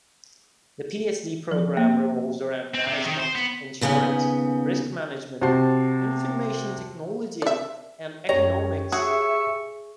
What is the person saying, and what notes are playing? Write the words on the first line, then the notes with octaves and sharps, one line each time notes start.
The PhD program revolves around Management, Insurance, Risk Management, Information Technology and Economics.
F3
A#3
C4
C3
D#3
C5
B3
D#2 C#3 B3 G4 G#5
C3 F#4 C5 A5 C7
D5 E5
F#2 G4 C#5 A#5
F#4 G#4 E5 C#6